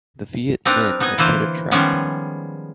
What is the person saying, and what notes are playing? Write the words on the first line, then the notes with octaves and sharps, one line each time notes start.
The Viet Minh entered a trap.
C4 D4 D#4 A#4 B4
B3 D#4 D#5 G#5
D3 E3 A#3 E4 B4 C5
D#3 F3 G3 G#3 B3 C#4